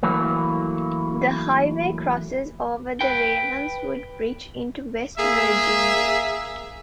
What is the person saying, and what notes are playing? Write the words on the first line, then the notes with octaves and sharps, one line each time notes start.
The highway crosses over the Ravenswood Bridge into West Virginia.
E3 F#3 A3 A#3
B4 G5
A#3 G#4 E5